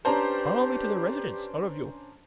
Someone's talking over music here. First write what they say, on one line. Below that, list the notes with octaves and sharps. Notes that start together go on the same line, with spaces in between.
"Follow me to the Residence--all of you!"
C#4 D4 G4 B4 C5 A5 A#5